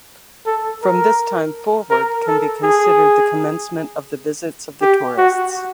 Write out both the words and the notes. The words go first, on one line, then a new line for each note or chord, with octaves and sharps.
From this time forward can be considered the commencement of the visits of tourists.
A4
A#4
A#4
A4
G#4
G4
F#4